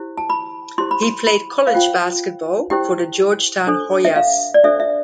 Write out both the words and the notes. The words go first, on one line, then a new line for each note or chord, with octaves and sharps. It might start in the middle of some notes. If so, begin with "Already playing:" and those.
He played college basketball for the Georgetown Hoyas.
Already playing: E4 G4 C5
A5
B5
E4 G4 C5 C6
B5
C6
B5
F5
F4 C5 G5
E4 G4 C5 G5
D4 A4 C5
E5
F5
D5
D4 A4 C5 E5
E5